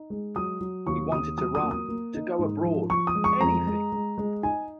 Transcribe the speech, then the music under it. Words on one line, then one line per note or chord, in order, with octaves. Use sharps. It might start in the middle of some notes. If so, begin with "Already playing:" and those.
He wanted to run, to go abroad, anything.
Already playing: D#4
G#3
F#3 D#6
F#3
D#2 C#6
D#2 D#6
F#3 D#6
D#6
A#3
D#6
A#3
D#4
G#2
F3
F3 C#6
D#6
G#3
C#6
F2 A#5
G#3
G#3
G#3
D#4 G#5